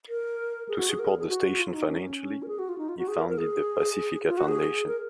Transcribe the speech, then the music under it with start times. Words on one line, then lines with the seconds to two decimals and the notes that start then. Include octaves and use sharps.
To support the station financially, he founded the Pacifica Foundation.
0.09 A#4
0.69 G#4
0.79 F#4
0.90 G#4
0.99 A#4
1.09 G#4
1.19 G#4
1.29 F#4
1.59 F4
1.74 D#4
1.88 C#4
2.43 A#4
2.48 G#4
2.59 F#4
2.69 F4
2.78 D#4
2.89 F4
2.98 F#4
3.08 G#4
3.18 A#4
3.29 A#4
3.38 G#4
4.28 F4
4.38 F#4
4.48 G#4
4.87 A#4